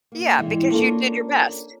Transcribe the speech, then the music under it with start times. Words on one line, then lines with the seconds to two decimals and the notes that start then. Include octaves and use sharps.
Yeah, because you did your best.
0.12 A#3
0.39 G#2 E3 G3 G#3 E4
0.70 A#3 C#4 D4 F4 A4 A#4